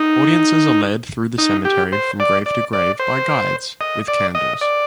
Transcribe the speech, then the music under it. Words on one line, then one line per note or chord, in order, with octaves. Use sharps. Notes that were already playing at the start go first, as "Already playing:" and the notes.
Audiences are led through the cemetery from grave to grave by guides with candles.
Already playing: D#4
D#4
G4
C5
D5
D5
D5
C5
D#5
D5
D#5
D5